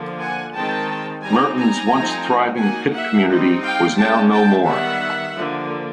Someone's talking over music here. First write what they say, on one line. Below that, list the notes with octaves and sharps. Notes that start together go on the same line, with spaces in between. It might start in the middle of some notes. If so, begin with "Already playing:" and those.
Murton's once-thriving pit community was now no more.
Already playing: D3 F3 A#3
F#5 G#5
D#3 G#3 C4 D#4 G5 A5
G3 C4 D#4 G#5 A#5
G#5 A#5
F3 A3 C4 D#4
F#3 A#3 D#4 F#5 G#5
E5 F#5
G3 C4 D#4
F5 G5
G#3 C#4 G5 A5
G5 A5
D#3 G3 B3 E5 F#5
D3 F3 A#3